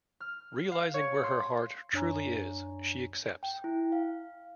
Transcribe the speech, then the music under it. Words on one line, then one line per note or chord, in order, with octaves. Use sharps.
Realizing where her heart truly is, she accepts.
F6
F5
C#5
C6
F#2 D4 C#5 G#5 A#5
G5
E4
F5